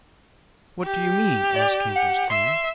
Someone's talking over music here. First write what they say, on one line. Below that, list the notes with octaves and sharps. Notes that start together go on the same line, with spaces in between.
"What do you mean?" asked Kantos Kan.
G4
D5
F#5
E5 C6